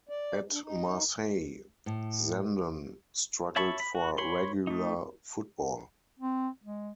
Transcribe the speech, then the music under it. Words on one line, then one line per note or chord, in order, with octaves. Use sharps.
At Marseille, Zenden struggled for regular football.
D5
D4
D#4
A2
C#5 E5 A5 B5 C#6
B5
F#4
C#5 B5 C6
A3 D#4
C4
G#3